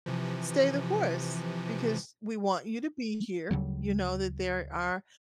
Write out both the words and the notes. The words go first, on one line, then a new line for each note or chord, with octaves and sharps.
stay the course because we want you to be here, you know that there are
C3 E3 F3
D2 C#3 F#3 G3